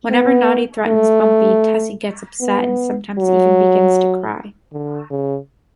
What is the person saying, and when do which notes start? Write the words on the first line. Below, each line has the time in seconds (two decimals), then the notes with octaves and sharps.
Whenever Noddy threatens Bumpy, Tessie gets upset, and sometimes even begins to cry.
0.11 B3
0.88 A3
2.41 B3
3.19 F#3
4.73 D3
5.11 C#3